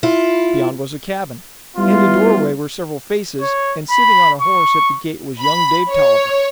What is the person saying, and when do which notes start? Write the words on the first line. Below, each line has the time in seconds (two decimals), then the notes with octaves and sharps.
Beyond was a cabin; in the doorway were several faces, and sitting on a horse at the gate was young Dave Tolliver.
0.03 E4 F4
1.76 G3 B3 E4 F4
3.41 C#5
3.91 B5
4.42 C#6
5.41 B5
5.89 C#5